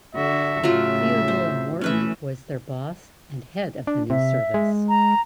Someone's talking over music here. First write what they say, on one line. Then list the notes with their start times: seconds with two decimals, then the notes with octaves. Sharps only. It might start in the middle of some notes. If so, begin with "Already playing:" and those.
Theodora Morton was their boss and head of the new service.
0.15 D3 F#4 E5
0.64 A2 C#3 F#3 A3 F4
1.28 C5
1.81 E3 A3 C#4 B4 E5
3.87 D4
4.10 C3 E5
4.54 G#3
4.89 A#5